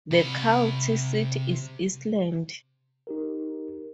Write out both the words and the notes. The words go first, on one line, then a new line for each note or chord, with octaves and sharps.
The county seat is Eastland.
C3 B5
D#4 G4 A#4